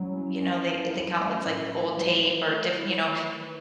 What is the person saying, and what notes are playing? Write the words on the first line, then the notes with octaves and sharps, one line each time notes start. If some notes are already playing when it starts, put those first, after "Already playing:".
you know, they they call it's like old tape or diff you know,
Already playing: F#3 C#4 E4
F#3
C#4
E4
F#3
A3
A2
E4
F#3
B4
A3
E4
D#3
B4